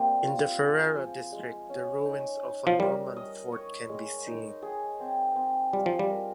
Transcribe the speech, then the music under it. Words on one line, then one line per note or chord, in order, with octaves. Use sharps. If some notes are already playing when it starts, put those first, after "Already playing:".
In the Ferrara district the ruins of a Norman fort can be seen.
Already playing: G3 A#3 C4
F4
G#4
F3
G#3
C#4
D#4
D#4
F3
G3 A#4
D#5
C#5
G#3
D#4
G#4
C4
C4
G3 F4
F3
G3
A#4